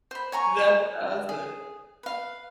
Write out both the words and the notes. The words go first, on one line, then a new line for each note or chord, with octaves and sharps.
That's awesome.
C5 B5
C#5 G#5 A#5 C#6
G#4
B4 F5